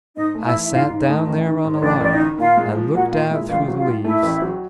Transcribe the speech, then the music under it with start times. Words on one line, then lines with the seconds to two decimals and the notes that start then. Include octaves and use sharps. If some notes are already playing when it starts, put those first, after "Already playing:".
I sat down there on a log, and looked out through the leaves.
0.16 G#2 D#4 D#5
0.35 A3
0.40 F5
0.44 E4 E5
0.53 E3
0.63 E5
0.71 G#2 F4 F5
0.91 G#2
1.00 D#4 D#5
1.08 A3
1.27 A1
1.46 D#3
1.64 G#2
1.75 C#5
1.82 A1 D4 D5
2.01 A1 D5
2.11 D#4 D#5
2.19 D#3
2.38 A#2 F4 F5
2.57 G#3
2.75 F3
2.93 A#2 F#4 F#5
3.12 A#2 F4 F5
3.30 G#3 E4 E5
3.49 A1 F4 F5
3.68 F#3
3.77 F4 F5
3.86 A2
4.04 A3 E4 E5
4.23 A1
4.42 F#3